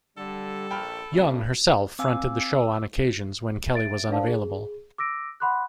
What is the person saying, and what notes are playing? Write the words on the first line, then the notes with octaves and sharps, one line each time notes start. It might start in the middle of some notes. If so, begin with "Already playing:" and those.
Young herself fronted the show on occasions when Kelly was unavailable.
D3 G3 A4
A#1 G5 B5 F6
G2 C#3 A3
C4 F5 G#5 D6 E6
E5 A6 D7
D4 A#4 C5 D5 F5 A5
G#4
D6 E6 A#6 D7
F#5 B5 C6 D6 F#6